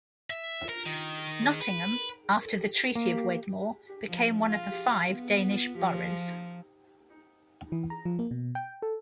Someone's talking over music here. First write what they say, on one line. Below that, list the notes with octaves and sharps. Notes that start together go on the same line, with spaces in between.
Nottingham, after the treaty of Wedmore, became one of the five Danish boroughs.
E5
A#4
D#3
B4
A#3
F3
F4
B3
F3
E3
A#5
F3
A#3
B2
G5
A4